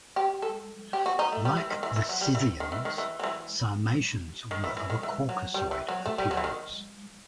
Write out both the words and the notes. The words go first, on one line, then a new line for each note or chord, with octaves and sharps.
Like the Scythians, Sarmatians were of a Caucasoid appearance.
G4
A4
G4
F#4
D#4
A3
G3
E3
D#3
E3
E3
F#3
G3
E3
D#3
E3
D#3
E3
F#3
E3
D#3
E3
E3
D#3
E3
F#3
G3
E3
F#3
A3
G3
F#3
E3
D#3